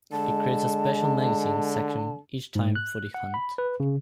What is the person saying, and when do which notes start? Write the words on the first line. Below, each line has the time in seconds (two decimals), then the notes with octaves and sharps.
It creates a special magazine section each time for the Hunt.
0.12 D3 G#3 A5
2.55 G#2
2.75 F#6
3.14 F#5
3.34 B5
3.58 B4
3.80 C#3